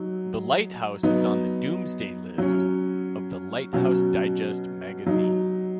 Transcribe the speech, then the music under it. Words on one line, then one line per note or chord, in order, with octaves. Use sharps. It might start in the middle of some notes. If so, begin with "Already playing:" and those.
The lighthouse is on the "Doomsday List" of the "Lighthouse Digest" magazine.
Already playing: F#3 D#4
F#3 B3 D#4
F#3 C#4
B2 F#3 C#4
F#3 D#4